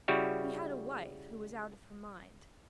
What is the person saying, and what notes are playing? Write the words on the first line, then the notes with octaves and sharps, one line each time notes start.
He had a wife who was out of her mind.
C#3 G3 E4 F#4 G4